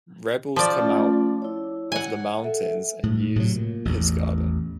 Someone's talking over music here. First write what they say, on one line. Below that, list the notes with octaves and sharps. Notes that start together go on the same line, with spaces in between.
Rebels come out of the mountains and use his garden.
F3 D5
A3 C#4 F4
E4 C#5
F#5 G#5
A4 E5
A2
A2 C3 F#3
A#2
A1 E2